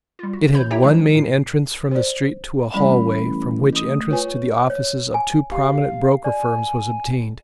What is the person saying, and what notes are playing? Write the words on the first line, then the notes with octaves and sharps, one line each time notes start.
It had one main entrance from the street to a hallway, from which entrance to the offices of two prominent broker firms was obtained.
G3 F4
F#4
A1 C#5 B5 G6
D#4 E4 G4 C#5 E5 G5
F3 G#3 D4 D#4
A2 C7
C5 D5
A1 G3 D5 B5
A3 D#6
F4 B4 C#5 G#5
C#5
G#5
G4 F5
D5 G#5